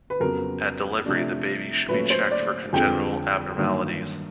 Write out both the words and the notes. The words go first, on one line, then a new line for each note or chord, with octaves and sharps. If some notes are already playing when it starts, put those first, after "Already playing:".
At delivery the baby should be checked for congenital abnormalities.
B4
F2 C#3 F#3 B3 A#4
C3 F3 A3 D4
A#2 F#3 A3 C#4 B4
C5
D5
F2 D3 F3 G#3 C4 G5
G2 D#3 F#3 A#3